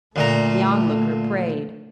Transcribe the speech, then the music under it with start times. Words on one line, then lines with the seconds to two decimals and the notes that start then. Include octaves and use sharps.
The Onlooker prayed.
0.16 D2 A#2 A3 A#5